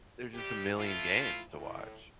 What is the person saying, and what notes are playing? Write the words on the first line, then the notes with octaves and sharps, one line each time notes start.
there's just a million games to watch.
C3 G3 G4
F3 A3 E4 F4
A2